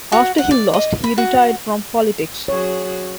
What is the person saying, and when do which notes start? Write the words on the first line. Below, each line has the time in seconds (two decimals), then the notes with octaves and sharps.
After he lost, he retired from politics.
0.12 F#4
0.38 F#5
0.51 D5
0.74 D#5
1.04 B5
1.18 F#4
2.48 F#3 F#4 G#4 C#5